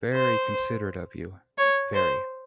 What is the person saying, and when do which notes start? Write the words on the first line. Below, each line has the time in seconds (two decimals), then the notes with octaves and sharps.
Very considerate of you — very!
0.13 C5
1.58 C#5
1.94 C5